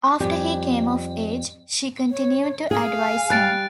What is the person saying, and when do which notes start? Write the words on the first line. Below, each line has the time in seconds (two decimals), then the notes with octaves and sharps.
After he came of age, she continued to advise him.
0.20 F2 G3 G4 G#5
2.11 C#5
2.71 G#4 F5 G#5
3.30 G3 F#6 A6 D7